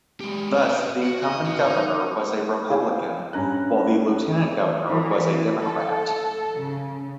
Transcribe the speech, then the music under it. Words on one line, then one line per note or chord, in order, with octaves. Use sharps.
Thus the incumbent governor was a Republican while the lieutenant governor was a Democrat.
G#3 G4
B4 D#5
F#4
D#5
B3 F#4
D#4
E4 G#4 C#5 F5 G5 G#5
G2 C#4 A#5 F#6
E3
A4
C#3